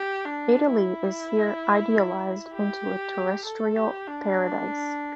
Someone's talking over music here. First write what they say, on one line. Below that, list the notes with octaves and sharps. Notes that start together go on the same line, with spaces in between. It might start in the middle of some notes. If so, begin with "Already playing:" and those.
Italy is here idealized into a terrestrial paradise.
Already playing: G4
D4
E4
G4
A4
G4
D4